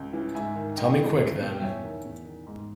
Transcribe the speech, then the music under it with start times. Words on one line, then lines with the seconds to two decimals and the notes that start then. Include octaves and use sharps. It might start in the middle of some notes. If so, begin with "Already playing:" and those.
Tell me quick, then.
Already playing: C#2
0.13 C#3 E3
0.35 G#2 E5 G#5
0.56 D#3
0.77 G2 D#5 G5
0.98 E3
1.20 C#2
1.40 B2
1.54 G5
1.62 E2 C#5 E5
1.83 D#3
2.04 E2
2.26 D#3
2.47 G#2